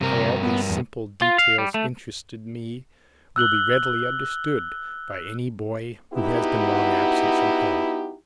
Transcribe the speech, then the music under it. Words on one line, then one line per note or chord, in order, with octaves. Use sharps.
How all these simple details interested me will be readily understood by any boy who has been long absent from home.
G2 C3 A#4
B3
E2
F4
F5
G3
A3
E6 F#6 F#7 G7
B3 D#4 E4 F#4 G4